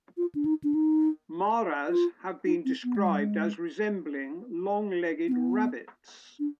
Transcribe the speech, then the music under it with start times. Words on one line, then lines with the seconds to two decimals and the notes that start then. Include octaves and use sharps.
Maras have been described as resembling long-legged rabbits.
0.17 F4
0.35 D4
0.45 D#4
0.64 D4
0.74 D#4
1.88 F4
2.46 D#4
2.65 C4
2.84 B3
2.96 G#3
3.07 G3
3.20 G#3
5.28 C4
5.33 B3
6.39 D4